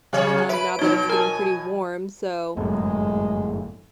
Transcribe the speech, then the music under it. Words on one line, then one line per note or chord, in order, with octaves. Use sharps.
um, now that it's getting pretty warm, so,
C#3 F#3 C#5
B4 E5 B5 D7
B2 F3 D#4 C#5
A#4 G#5 A5
G1 F#2 A2 G#3